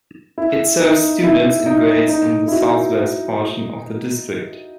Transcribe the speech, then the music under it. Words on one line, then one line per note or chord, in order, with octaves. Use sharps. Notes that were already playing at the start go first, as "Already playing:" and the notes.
It serves students in grades in the southwest portion of the district.
E4
D#4
E4
D#4
D#4
E4
F#4